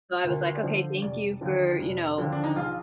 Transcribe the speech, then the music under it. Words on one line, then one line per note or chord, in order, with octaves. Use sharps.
So, I was, like, okay, thank you for, you know?
D2 A#4
D5
D3 F3 C5
F1 D5
D#2 D3 F3
F1
D#2 D3 F3
D4
D#4
A#1 F4